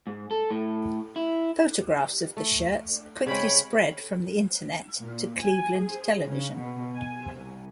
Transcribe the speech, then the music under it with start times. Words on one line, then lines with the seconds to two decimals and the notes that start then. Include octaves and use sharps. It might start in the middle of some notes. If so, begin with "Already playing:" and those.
Photographs of the shirts quickly spread from the Internet to Cleveland television.
0.07 G#2
0.31 A4
0.51 A2
1.16 E4
2.37 A3
3.27 C#3 G#3 C4 C#5 B5 D7
5.01 A#2
5.39 G#5
5.79 G#4
6.24 C#3
6.58 B2
6.96 G#5
7.33 C2